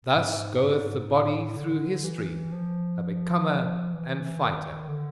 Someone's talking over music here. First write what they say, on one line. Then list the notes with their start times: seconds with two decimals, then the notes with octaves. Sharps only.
Thus goeth the body through history, a becomer and fighter.
0.15 G#2
0.63 G#2
1.10 A2
1.57 D3
2.04 E3
2.52 F3
3.93 E3
4.41 D#3
4.88 D3